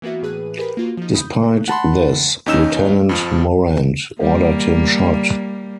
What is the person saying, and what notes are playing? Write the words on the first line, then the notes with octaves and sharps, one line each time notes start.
Despite this, Lieutenant Morant ordered him shot.
E3 A#3 B3 F#4 E5
A2 E3 G#4 B4 F#6 D#7
G4 G#4 A#4 B4 B5
A#3 F4 F#4
F3 D#4
B5 D#6 G6
F#5 A5 B5 C6
D#2 C#4 D#4 E6 E7
F2 F3
G3 A#3